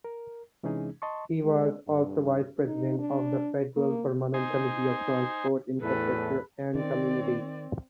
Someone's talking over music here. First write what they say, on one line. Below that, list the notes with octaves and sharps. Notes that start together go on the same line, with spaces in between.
He was also vice-president of the federal permanent committee of Transport, Infrastructure and Communities.
A#4
C3 E3 G#3 C#4 D#4 G#4
D#5 A5 C6 C#6
G#3
G2
D#4
D4
A#3
D#4 C5 G#5
E2 A2 A4 B4
D#3 C4 D5